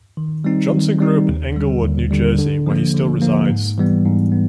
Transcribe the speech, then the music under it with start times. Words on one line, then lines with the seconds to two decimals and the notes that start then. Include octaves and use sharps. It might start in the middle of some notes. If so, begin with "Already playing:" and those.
Johnson grew up in Englewood, New Jersey where he still resides.
0.17 D#3
0.44 G3 C4 D#4
0.73 D#3
1.00 G3 C4 D#4
1.29 D#2
1.56 D3 G3
1.83 D#2
2.11 D3 G3
2.39 D3
2.67 F3 A#3
2.95 D3
3.22 F3 A#3
3.49 G#2
3.78 E3 G3 B3
4.05 G#2
4.32 B3